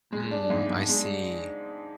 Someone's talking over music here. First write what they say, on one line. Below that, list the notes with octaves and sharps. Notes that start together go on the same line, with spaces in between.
Mm. I see.
G#3
D4
G#2
G#2
G#3